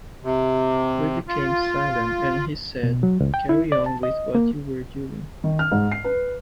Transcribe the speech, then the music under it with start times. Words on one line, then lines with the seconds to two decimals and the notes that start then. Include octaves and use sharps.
We became silent and he said: Carry on with what you were doing.
0.22 C3
1.28 F4
2.83 B2
3.03 F#3
3.20 C#2
3.34 G5
3.49 E4
3.72 D5
3.86 A5
4.03 D#5
4.35 A#3
5.44 D#3
5.59 F6
5.72 G#2
5.91 C7
6.04 B4